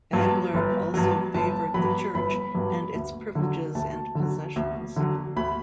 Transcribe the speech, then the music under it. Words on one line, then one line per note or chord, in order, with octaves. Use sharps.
Bagler also favoured the church and its privileges and possessions.
G2 F#3
G1
G2 F#3
G1 A5
G2 F#3 B5
G1 B5
G2 F#3
D2
D3 F#3
D2 A5
D3 F#3
D2
D3 F#3
D2 B5